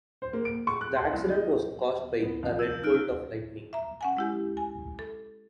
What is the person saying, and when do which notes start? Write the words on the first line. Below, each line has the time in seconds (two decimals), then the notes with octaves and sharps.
The accident was caused by a red bolt of lightning.
0.22 C5
0.33 A#3
0.45 D7
0.67 C#6
0.81 F#6
0.95 C6
1.13 C2
1.30 D#5
2.23 B3
2.43 C2 F3 F5
2.59 E6 G6
2.84 D#4 F6 F#6 D7
3.73 E5 A#5
4.01 C#4 F#5 G#5
4.17 G#3 E4 G4
4.57 G#5
4.99 A4